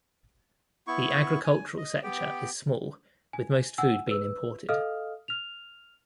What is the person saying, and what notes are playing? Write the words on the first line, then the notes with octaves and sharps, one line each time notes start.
The agricultural sector is small, with most food being imported.
B3 E4 C#6
G#5
D#5
B3 G4 G5
G#5
F#5 G#5 E6
B4 E6
A4 D#5 F5 D#6 F6
F6 F7